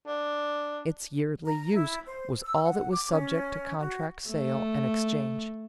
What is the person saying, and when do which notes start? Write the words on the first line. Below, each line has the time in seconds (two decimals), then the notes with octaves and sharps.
Its yearly use was all that was subject to contract, sale, and exchange.
0.07 D4
1.45 A#5
1.74 E4
2.07 C5
2.43 E6
2.62 F#5
2.92 D6
3.11 C#4
3.79 F#4
4.29 A3